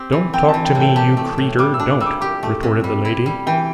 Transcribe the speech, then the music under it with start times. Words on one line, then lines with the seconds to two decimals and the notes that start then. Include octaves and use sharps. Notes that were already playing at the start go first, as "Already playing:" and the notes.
'Don't talk to me, you creetur, don't,' retorted the lady.
Already playing: C4 G4
0.12 E3
0.33 C4 G5
0.48 A5
0.54 E3
0.65 G5
0.75 A2
0.80 G5
0.96 G4 A5
1.17 A3
1.38 A2
1.59 G3 D6
1.74 E6
1.80 D4
1.90 D6
2.00 G3 E6
2.06 D6
2.21 G4 D6
2.43 A3
2.63 C3
2.84 G3
3.05 E4
3.26 G3
3.47 E3 G5